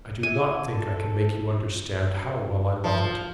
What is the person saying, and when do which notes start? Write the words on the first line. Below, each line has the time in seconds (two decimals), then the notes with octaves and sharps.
I do not think I can make you understand how well I love it.
0.23 E5 G#5
0.67 A4
2.84 F3